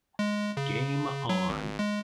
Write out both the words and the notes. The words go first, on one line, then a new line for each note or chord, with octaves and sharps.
Game On!
G#3
C#3
F#3
G#1
G#3